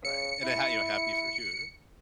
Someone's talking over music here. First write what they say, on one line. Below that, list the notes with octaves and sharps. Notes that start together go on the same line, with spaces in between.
Right, and, uh, how you know, happy for who?
C#3 C#7
E4